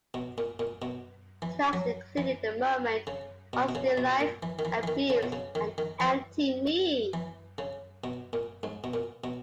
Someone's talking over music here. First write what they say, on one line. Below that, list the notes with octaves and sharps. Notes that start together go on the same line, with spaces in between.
Tracks included The Moment, Unstill Life, Abuse and Empty Me.
B2
A#2
A#2
B2
E3
F#3
E3
C#3
B2
B2
C#3
B2
A#2
E3
D#3
E3
E3
D#3
C#3
B2
C#3
D#3
D#3
E3
E3
C#3
B2
A#2
G#2
B2
A#2
B2